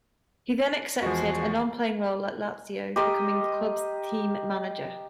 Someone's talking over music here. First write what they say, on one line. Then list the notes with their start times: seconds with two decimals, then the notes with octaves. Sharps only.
He then accepted a non-playing role at Lazio, becoming the club's team manager.
1.03 E2 F3 G#3 F#4 G#4
2.96 G4 A#4 D#5 C6